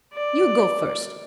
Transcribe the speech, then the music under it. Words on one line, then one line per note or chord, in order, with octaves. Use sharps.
"You go first."
D5